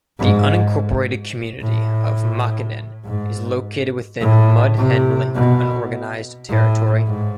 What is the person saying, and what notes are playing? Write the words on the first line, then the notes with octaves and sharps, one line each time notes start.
The unincorporated community of Makinen is located within Mud Hen Lake Unorganized Territory.
G#2
A2
G#2
A2
C3
B2
A2
G#2